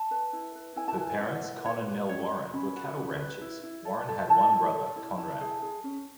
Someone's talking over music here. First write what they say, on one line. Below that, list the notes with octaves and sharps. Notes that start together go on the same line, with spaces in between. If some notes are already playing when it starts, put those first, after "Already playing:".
Her parents, Con and Nell Warren, were cattle ranchers; Warren had one brother, Conrad.
Already playing: A5
B4
E4
B4
E4 G#5
A5
B4 G#5
E4 F#5
B4
B4 C#5
F#4
C#4 C#5
F#4
C#4 B5
F#4
C#4
B4
E4
E4
A4
A4
E4 A5
E4
A4
E4
E4 A5
G#4
G#4
C#4